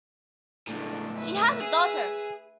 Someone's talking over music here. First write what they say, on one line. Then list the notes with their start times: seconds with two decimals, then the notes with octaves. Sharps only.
She has a daughter.
0.67 C#2 A2 A3 D4
1.17 B4 E5
1.61 G#4